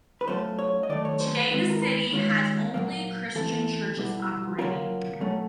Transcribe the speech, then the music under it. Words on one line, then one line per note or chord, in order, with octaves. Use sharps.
Today the city has only Christian churches operating.
B4
F#3 A3 C#4 F4 C5
C#5
D#5
D#3 F#3 A3 D5
C#5
C5
B4
D#3 G#3 C4 E4 B4
A#4
B4
D#3 G#3 C#4 F4
A#2 F#3 A#3
E3 A3 C4 E4 A4
B2 G3 B3 E4
F#3 A#3 C#4 F4 A#4
B2 F#3 A3 C#4